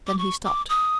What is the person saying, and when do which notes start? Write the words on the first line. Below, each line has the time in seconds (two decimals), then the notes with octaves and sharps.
Then he stopped.
0.07 D6
0.18 C#6
0.44 D6
0.69 D#6